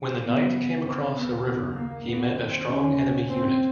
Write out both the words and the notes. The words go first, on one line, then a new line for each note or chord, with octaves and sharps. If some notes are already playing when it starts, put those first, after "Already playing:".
When the knight came across a river he met a strong enemy unit.
Already playing: E2 C#3
B3
C4
D#2 C#3 B3
A#3
B3
D#2 C#3 C4
C#4
C4